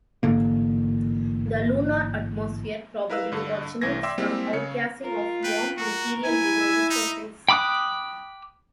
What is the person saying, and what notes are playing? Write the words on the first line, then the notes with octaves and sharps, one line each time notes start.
The lunar atmosphere probably originates from outgassing of warm material below the surface.
A1 G#2 D3 A#3
E4 A#4 B4 F5 E6
G2 D3
C2 E3 A3 G#6 A#6
D5 E5 G5 C6 D6 E6
G3 G#3 A#3 C4 E4 G4
C#3 C#5 C#7
F4 A#4
B4 G5
F#4 A#4
E4 G#5
E5
D#4
G5 B5 D6 D#6 F#6